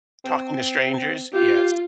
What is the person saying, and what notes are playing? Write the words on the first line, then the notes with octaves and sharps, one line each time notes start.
Talking to strangers? Yes.
C4
F4 G4